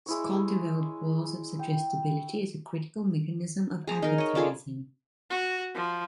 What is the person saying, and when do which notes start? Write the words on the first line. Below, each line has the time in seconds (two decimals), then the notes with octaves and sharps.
Scott developed laws of suggestibility as a critical mechanism of advertising.
0.06 G#3 E4 C#5
1.59 G5
3.87 G#4 A#5
4.02 D#4 A#4
4.18 C#5 D#5
4.35 D4 F4 G#4 A4
5.30 F#4
5.75 F3